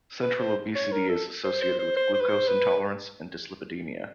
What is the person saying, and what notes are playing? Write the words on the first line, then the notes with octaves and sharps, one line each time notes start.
Central obesity is associated with glucose intolerance and dyslipidemia.
B4
C5
C#5
A#4
A4
C5
C5
C5
C5
C5
B4
C5
B4